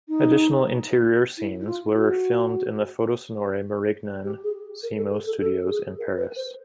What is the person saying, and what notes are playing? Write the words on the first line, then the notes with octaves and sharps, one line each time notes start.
Additional interior scenes were filmed in the Photosonore-Marignan-Simo studios in Paris.
D#4
E4
E4
F4
F#4
G4
G#4
A#4
A4
G#4
A4
A4
G4
G#4
A#4
B4
C5